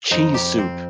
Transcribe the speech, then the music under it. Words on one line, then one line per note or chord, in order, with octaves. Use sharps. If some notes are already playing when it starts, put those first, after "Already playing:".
cheese soup."
F2 D#4
G4
C4